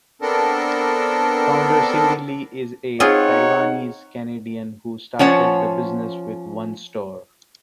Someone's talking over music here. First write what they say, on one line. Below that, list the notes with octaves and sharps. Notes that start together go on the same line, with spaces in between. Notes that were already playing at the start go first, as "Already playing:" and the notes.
Founder Cindy Lee is a Taiwanese-Canadian who started the business with one store.
B3 C4 D4 A4 A#4
C4 D#4 F4 G#4 C#5 F#5
F3 C#4 C#5 F#5 A5